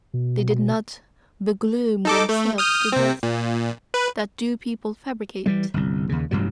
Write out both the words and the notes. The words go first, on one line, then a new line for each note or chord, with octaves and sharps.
They did not "begloom" themselves to death--that do people fabricate!
B2
D#4 A4 D6
A3
D#6 F6 G6
C3 C4
A#2
B4
E3 G3 G#3
G1 C2
D#2 C#3
A1 G2 C3 F#3